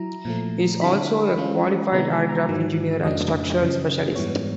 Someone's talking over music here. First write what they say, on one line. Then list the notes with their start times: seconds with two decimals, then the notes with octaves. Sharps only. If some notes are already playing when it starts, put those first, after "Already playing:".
He is also a qualified aircraft engineer and structural specialist.
Already playing: F#3 E4 A#5
0.25 A#2 F3 A3
0.81 D3 G3 C4 E4 B5
1.37 E3 G#3 C#4 F4
1.92 C3 D#3 G#3 B3 E4 A#5
2.11 A5
2.29 A#5
2.49 G#2 D#3 F#3
3.04 F2 C#3 F#3 A3 D4 D#5
3.60 F#2 C#3 F#3
4.15 G#2 E3 G3 B3 C#5